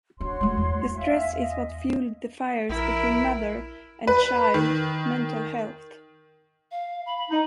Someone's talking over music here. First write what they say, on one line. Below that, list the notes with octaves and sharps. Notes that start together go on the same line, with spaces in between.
The stress is what fueled the fires between mother and child mental health.
D4 F#4 C#5 C6
G#3 A3
E2
E5 F5 G#5
D#5
A#1 E4 A#4
B4
D#3
F5
B5
B5
D#4